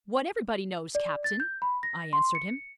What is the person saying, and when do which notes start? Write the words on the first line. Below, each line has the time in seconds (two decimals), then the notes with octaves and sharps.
"What everybody knows, captain," I answered him.
0.95 D5
1.24 A6
1.40 G6
1.62 B5
1.83 A#6
2.13 C6
2.35 C#7